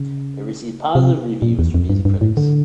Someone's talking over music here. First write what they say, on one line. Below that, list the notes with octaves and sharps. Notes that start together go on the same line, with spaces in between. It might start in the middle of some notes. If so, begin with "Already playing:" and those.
It received positive reviews from music critics.
Already playing: C#3
C3
A#2
E2
F2
G2
G2
A2
D3